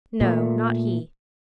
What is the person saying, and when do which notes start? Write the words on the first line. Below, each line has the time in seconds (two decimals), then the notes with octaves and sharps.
No, not he.
0.21 A#2 A3